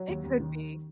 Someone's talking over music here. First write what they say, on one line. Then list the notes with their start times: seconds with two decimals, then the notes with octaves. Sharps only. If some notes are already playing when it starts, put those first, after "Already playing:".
It could be.
Already playing: F#3
0.08 D#2
0.24 D#2
0.40 D#3